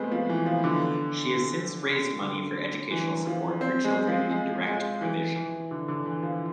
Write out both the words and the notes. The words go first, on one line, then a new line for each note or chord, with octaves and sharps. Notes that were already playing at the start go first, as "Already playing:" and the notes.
She has since raised money for educational support for children in direct provision.
Already playing: G#3 A3 B3 C4
F3
E3
F3
D3
D3
E3
F3
C4
G#3
F3
G#3
G#3
E3
E3
D3
D3
E3
F3